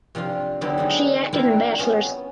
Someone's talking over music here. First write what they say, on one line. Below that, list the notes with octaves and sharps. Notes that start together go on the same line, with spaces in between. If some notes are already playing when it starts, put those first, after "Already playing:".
She acted in "Bachelors".
C3 F3 D4 F4
D3 F#3 B3 C4 D4 E4
G#3 D4 D#4
C4 D4 E4 F4 A#4 C5
B3 C#4 F#4